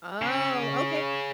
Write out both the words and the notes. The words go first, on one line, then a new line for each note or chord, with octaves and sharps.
Oh, okay.
C#3 C#4